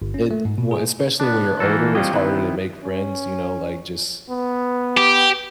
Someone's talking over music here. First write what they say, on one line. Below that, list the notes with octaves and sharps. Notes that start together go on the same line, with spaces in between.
it w especially when you're older, it's harder to make friends, you know, like, just
G1
C#4
A3
G#2
B2
G#4
B3 D4
E3 A3 A#3 F#4 A4
G3 C4 F4 G4 C#5 D#5
D#3 B3 C4 E4
C#4
B3
G4